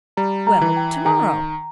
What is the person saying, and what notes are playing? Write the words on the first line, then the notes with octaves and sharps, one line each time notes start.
"Well, to-morrow."
G3 A#5
A#5
E3
G5
D#3 A#5